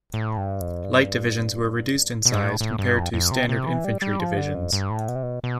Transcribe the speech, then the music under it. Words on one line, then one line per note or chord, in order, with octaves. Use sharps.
Light divisions were reduced in size compared to standard infantry divisions.
A2
G2
F2
G2
B2
G2
A2
A2
G2
F2
F2
C3
C3
E3
G3
G3
F3
D3
F2
G2
A2
B2
C3
B2
B2